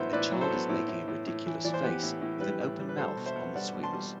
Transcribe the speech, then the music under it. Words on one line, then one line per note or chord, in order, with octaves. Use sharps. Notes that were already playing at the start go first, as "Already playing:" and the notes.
A child is making a ridiculous face with an open mouth on the swings.
Already playing: A2 F#3 B3 C5 E5
A2 B4 D5
F#3
A4 C5
B3
A2
A2
A2
A2
E3
E3 D5
C5
B3 G4 B4
A2
A2
G3 G4 B4
A2
G3
B4
G3 A4 C5
B2
C5 E5
B3
G3 D5 F#5
B2
A5 C6
G3